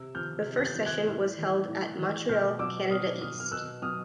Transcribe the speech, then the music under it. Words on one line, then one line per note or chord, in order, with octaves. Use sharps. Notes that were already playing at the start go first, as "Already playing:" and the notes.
The first session was held at Montreal, Canada East.
Already playing: C3 E6
F3 F6 G6
C3
A#6
G6 A6
F3
F#6 G#6
A2
E3
A2
E3
B2 F6 G6
F#3 D6 E6
B2 D#6 F6
F#3 D#6 F6
F6
B2 E6 F#6
F#3 D#6 F6